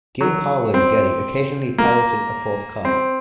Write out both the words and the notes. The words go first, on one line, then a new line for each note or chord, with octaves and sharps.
Giancarlo Baghetti occasionally piloted a fourth car.
F#3
C4
A#3
C4